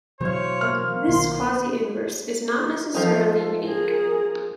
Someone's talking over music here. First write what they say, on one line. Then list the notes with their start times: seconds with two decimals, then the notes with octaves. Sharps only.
This quasi-inverse is not necessarily unique.
0.21 B2 E3 F#3 C5 C#5 F5
0.61 A#3 F6
1.08 B1 D#3 B3 C6
2.95 F3 D#4 A4
3.62 G#4 A#4